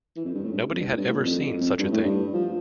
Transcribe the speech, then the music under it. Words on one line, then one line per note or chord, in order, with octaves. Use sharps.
Nobody had ever seen such a thing.
E3
F2
G2
A2
G2
F2
G2
A2
G2
A2
A#2
F2
F2
G2
A2
G2
F3